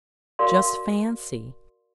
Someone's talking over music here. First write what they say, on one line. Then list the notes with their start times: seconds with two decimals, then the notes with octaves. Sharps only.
Just fancy!
0.39 F#4 A#4 D5 F5 C6